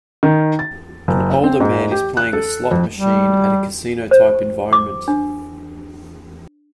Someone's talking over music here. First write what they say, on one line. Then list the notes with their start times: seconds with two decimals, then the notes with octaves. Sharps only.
And older man is playing a slot machine at a casino type environment.
0.23 D#3
0.59 A6
1.08 F#1
1.44 C4
1.60 G#2
1.92 G4
2.17 F#6
2.33 A4
2.71 F2
2.96 G3
4.11 C5
4.73 D6
5.08 D4